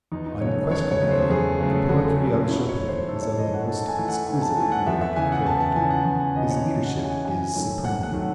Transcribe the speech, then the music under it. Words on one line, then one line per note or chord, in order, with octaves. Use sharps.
Unquestionably the poetry of Chopin is of the most exquisite lyric character, his leadership is supreme.
E2 D#4
D#4
C#3 F#3 A3 C#5
E2 C#5
C#5
C#3 F#3 A3
C5
E2 G#4
C#3 F#3 A3
E2 F#4
C#3 F#3 A3
G#2 E4
C#5
E3 A3
C5
G#2 A4
C#5
E3 A3 D#5
F#5
G#2 A5
G#5
E3 A3
F#5
G#2 G#5
A5
E3 A3 G#5
F#5
E2 E5
E5
C#3 E3 G#5
F#5
E2 A5
A5
C#3 E3 G#5
F#5
E2
G#5
C#3 E3 D#5
C#5
E2
F#5
C#3 E3
G#5
C3 G#5
D#3 F#3 A3
C3 F#5
F#5
D#3 F#3 A3